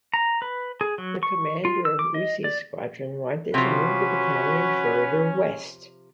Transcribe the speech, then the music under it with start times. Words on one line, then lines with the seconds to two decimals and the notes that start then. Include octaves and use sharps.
The commander of Uhse's squadron wanted to move the battalion further west.
0.14 A#5
0.42 B4
0.81 G#4
0.98 F#3
1.23 C#6
1.65 F4
1.85 E6
1.99 D6
2.14 D#5
2.44 D5
3.54 C3 F3 C#4 F#4 B4